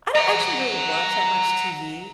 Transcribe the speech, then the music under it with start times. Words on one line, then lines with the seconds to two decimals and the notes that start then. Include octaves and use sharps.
I don't actually really watch that much TV.
0.16 F#5 A#5